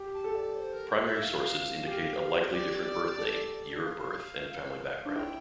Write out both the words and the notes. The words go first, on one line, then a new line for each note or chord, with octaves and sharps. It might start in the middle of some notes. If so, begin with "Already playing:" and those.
Primary sources indicate a likely different birth name, year of birth and family background.
Already playing: G4
A5
A4
D5
C5
A#4
E5
F5
G4
C5
G4 D5
A4
F5
D4 F5
E4 G5